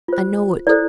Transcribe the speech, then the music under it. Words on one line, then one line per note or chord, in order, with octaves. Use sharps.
I know it.
F4 C5
E4 A4 C5 D5